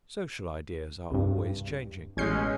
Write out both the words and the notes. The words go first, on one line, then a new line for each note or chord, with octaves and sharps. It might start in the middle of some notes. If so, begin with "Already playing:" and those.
Social ideas are always changing.
C2 G2
A1 B2 G#3 C#4 G6 C7